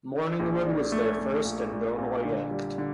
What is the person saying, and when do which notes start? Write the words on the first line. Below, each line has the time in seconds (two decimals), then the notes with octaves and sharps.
Morningwood was their first and only act.
0.13 D4
0.40 A#1
0.67 D4
0.92 A3
1.19 A3
1.45 A#2
1.72 A#2
1.99 A#2
2.25 D3
2.51 G3
2.78 D3